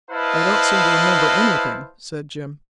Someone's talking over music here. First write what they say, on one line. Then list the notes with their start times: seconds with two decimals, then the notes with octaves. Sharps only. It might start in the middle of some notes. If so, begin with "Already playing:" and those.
"I don't seem to remember anything," said Jim.
0.11 E4 B4 C5 D#5 F5 A5